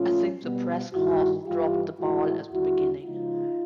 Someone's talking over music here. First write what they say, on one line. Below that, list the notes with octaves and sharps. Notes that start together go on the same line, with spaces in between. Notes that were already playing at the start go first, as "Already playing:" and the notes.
I think the press corps dropped the ball at the beginning.
Already playing: A#2 F3 A3 C#4 F4
B2 G3 B3
G2 D#3 G3 E4 F#4
G2 E3 G3 F4 G4
A2 E3 G#3 E4 F#4
D#2 D3 G3 E4 F#4
C#3 F3 G#3 D#4 F4